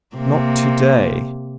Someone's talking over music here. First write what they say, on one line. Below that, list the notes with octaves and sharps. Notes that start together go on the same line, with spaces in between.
"Not to-day."
C3 A#3